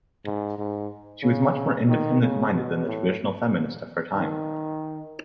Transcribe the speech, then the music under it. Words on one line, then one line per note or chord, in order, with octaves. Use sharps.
She was much more independent-minded than the traditional feminist of her time.
G#2
G#2
C#3
D#3
C#3
B2
A2
D#3